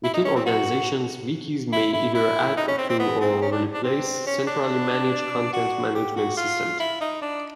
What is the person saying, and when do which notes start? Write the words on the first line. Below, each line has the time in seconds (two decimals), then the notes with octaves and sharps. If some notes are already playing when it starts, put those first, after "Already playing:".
Within organizations, wikis may either add to or replace centrally managed content management systems.
0.04 E4
0.14 D#4
0.25 C#4
0.36 C4
0.46 F#4
1.72 E4
1.93 E4
2.15 E4
2.57 D#4
2.68 C#4
2.78 C4
2.89 C4
2.99 B3
3.21 C4
3.42 C#4
3.52 D4
3.73 D4
3.84 C4
4.26 C#4
4.47 D4
5.53 F#4
5.95 G4
6.17 F#4
6.37 F4
6.80 E4
7.01 D#4
7.22 D4